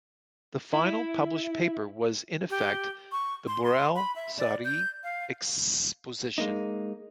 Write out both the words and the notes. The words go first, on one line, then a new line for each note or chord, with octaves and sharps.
The final published paper was in effect the Borel-Serre exposition.
E4
G4
C#6
C6
C6
B5
E5
D5
G6
F5
G#3 A#3 D#4